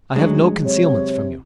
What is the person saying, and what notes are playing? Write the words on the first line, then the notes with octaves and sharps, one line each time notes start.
I have no concealments from you.
D2 F#3 G#3
C3 C#5